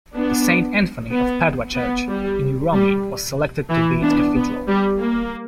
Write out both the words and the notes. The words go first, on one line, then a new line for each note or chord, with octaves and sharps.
The Saint Anthony of Padua church in Uromi was selected to be its cathedral.
B3 D4
B3
B3
G3
G3
E3
B3 D4
B3
G3
A#3